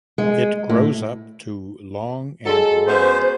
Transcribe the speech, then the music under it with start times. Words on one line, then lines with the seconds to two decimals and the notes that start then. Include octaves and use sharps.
It grows up to long and wide.
0.18 G#3
0.69 A2
2.45 F#3 G#3 A4
2.87 B3 C#4 C5